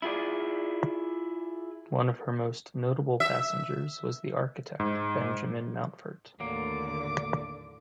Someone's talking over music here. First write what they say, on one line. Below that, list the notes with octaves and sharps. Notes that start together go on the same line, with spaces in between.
One of her most notable passengers was the architect Benjamin Mountfort.
E4 F4 G#4 D5
E5
G#2
D#2 A2 D3 F#3 A#3 D6